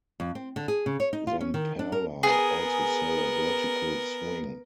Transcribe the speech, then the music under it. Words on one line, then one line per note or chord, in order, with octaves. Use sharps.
Zamperla also sell a Vertical Swing.
F2
C4
D3
G#4
C#3
C#5
D#4
F4
C#4
D#3
D4
A#4
B3 G#4 A#4